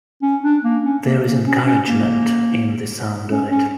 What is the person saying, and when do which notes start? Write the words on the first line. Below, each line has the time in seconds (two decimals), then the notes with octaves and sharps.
There is encouragement in the sound of it.
0.22 C#4
0.43 D4
0.64 A#3
0.84 C#4
1.04 A#3
1.25 A#3
1.45 C#4
1.66 C#4
1.87 A#3
3.30 C#4
3.51 C#4